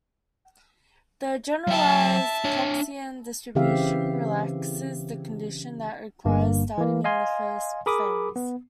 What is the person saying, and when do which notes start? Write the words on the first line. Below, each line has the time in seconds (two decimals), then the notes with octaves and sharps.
The generalised Coxian distribution relaxes the condition that requires starting in the first phase.
1.67 F#3 E5 G5 A5
2.44 D4 C#5
3.55 C#3 E3 C4 G4 E5 F5
6.25 G1 G2 A#3
6.78 E3 A#3
7.04 D#5 F5 G#5 C6
7.86 G#4 A#4 B5 D6 D#6
8.36 B3